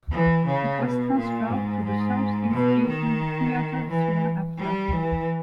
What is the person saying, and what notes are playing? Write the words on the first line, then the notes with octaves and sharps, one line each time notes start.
It was transferred to the South-East Asian Theatre soon after.
E3
C#3
B2
A#2
G#2
G#2
B2
D#3
E3
G3
E3